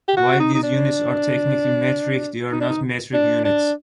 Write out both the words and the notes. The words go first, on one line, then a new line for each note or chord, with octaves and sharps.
While these units are technically metric, they are not metric units.
G4
F#4
D#4
D#4
D4
D#4
D4
D#4
D4
D4